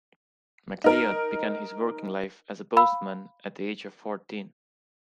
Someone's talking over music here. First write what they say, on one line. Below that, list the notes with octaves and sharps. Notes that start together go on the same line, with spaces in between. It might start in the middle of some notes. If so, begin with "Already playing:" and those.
McLeod began his working life as a postman at the age of fourteen.
D#4 A#4
F5 B5 E6